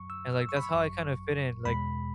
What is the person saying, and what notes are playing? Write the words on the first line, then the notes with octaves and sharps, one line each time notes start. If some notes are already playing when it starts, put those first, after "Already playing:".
and, like, that's how I kind of fit in, like,
Already playing: F#2 F#3 C#6
E6
E6
C#6
B5
C#6
G#1 F#2 F#3
E2 B2 G#3 B5